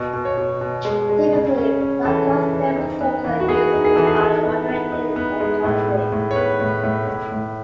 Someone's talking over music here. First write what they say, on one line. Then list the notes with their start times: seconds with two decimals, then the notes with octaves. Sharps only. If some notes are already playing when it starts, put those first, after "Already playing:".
Typically, low cost thermal sources are used which are modulated electronically.
Already playing: B2 D#5
0.13 B2
0.25 C#5
0.38 B2
0.61 B2
0.85 G#3
1.09 G#3
1.33 C#3
1.57 C#4
1.81 C#4
2.05 E3 A4
2.29 E3
2.53 E3
2.76 D#4
3.01 B3
3.24 E3
3.40 F#4
3.49 B3 G#4
3.72 D#4
3.85 G#4
3.96 E3 A4
4.07 G#4
4.20 D#4 A4
4.45 B3
4.69 B3
4.92 D#4
5.16 B3
5.40 G#3
5.64 A2
5.88 A2
6.12 A2
6.31 C#5
6.36 B3 B4
6.60 A2
6.83 A2
7.08 A2
7.32 A2